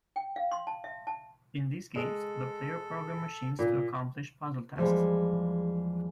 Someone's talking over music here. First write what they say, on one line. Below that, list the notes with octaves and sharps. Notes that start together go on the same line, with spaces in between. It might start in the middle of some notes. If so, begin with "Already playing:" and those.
In these games the player program machines to accomplish puzzle tasks.
G5
F5
C6
A5
E5
A5
G#3 A4
A#2
E2 F3 G3 G#3